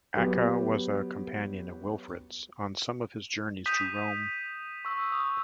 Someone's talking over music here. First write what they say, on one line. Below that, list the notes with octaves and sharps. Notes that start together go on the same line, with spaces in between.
Acca was a companion of Wilfrid's on some of his journeys to Rome.
F#3 B3 G4
D#6 G6 B6 D#7 E7
C#6 E6
D#6